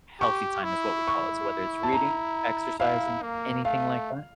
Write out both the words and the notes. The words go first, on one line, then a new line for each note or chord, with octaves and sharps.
"healthy time," is what we call it. So, whether it's reading, exercising, anything like that,
G4 C#6
E4
C#6
A5
A#5
E4 F5
A#3
A3 F5